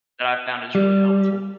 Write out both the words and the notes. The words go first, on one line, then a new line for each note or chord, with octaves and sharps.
that I found is really helpful.
G3